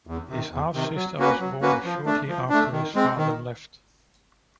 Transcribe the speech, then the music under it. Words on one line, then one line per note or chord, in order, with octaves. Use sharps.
His half-sister was born shortly after his father left.
E2
C3 D#3
E2
C3 D#3
F#3
A#3 C#4 F#4 B4
F#3
A#3 C#4 F#4 B4
F3
A3 D4
F3
A3 D4
D#3
G#3 C4
D#3